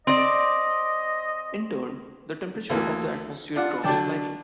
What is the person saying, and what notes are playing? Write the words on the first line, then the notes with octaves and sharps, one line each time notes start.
In turn, the temperature of the atmosphere drops slightly.
C4 D5 D#5
D2 E3 A#3
D4 F4 D5 F#5
D3 F#3 D4 D5 G5 A5